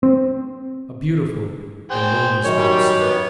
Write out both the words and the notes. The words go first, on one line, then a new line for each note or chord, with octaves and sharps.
A beautiful and lonely spot, sir.
C4
G#4 C5 G5
F#2 D#3 C#5
G3 G4
B3